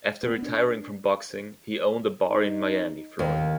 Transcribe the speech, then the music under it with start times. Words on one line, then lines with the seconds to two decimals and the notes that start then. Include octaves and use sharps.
After retiring from boxing, he owned a bar in Miami, Florida.
0.23 B3
0.42 D4
2.28 D#4
3.19 D#2 A#3